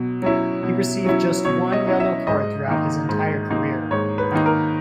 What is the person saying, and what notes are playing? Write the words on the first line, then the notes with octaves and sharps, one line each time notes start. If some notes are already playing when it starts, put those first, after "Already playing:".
He received just one yellow card throughout his entire career.
Already playing: B2 F#3
F#3 C#4 E4
B2
F#3 C#4 E4
B2 C#5
D#5
F#3 C#4 E4
E5
G#2 D#5
D#3 A#3 D#4
G#2
D#3 A#3 D#4
G#2 C#5
B4
D#3 A#3 D#4
A#4